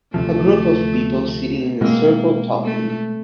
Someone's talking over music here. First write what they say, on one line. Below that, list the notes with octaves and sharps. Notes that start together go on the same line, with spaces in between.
A group of people sitting in a circle talking.
D2 C3 F3 A3
B2 G#3 A#3 C4
A3